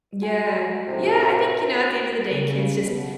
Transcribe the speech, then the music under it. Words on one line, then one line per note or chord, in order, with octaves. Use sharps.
Yeah. Yeah, I think, you know, at the end of the day, kids just
F#4 G#5
A2 C3
C#3
B2